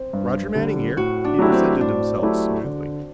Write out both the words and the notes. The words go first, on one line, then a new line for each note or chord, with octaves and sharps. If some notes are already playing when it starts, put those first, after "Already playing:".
"Roger Manning here," he presented himself smoothly.
Already playing: C4
G2
D3 G3
A2 F#4
D4
F#3 A3 E4 G4
C4
A2 D4
F#3 A3 E4 G4
D3